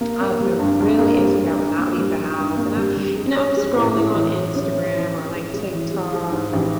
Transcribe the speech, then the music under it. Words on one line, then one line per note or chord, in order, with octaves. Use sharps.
I would feel really insecure, I would not leave the house, and I you know, I'm scrolling on Instagram or like TikTok,
A#3
A#3
G3
G2
G2
A#3
G3
G2
G2
A#3
G3
D#3
G2
A#3
G3
G3
G#3
C#4
G#3
A2
A2
E3
E3
C#4
C#4
E3
C#4
G#3
G#3
E3
G#3
G#3
G#2
A1